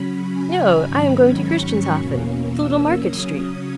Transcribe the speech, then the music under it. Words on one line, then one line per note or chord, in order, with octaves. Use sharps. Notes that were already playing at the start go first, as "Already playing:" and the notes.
"No, I am going to Christianshafen, to Little Market Street."
Already playing: C#3 F#3 C#4 B5
G#5
G#2 D#3 F#3 C#4 B5
C#6
E2 B2 A#3 C#4
E6
C#3 F#3 C#4 D#6